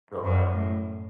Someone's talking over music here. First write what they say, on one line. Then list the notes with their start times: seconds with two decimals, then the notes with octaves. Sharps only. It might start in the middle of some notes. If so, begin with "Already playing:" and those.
go out.
0.24 F#2
0.53 A2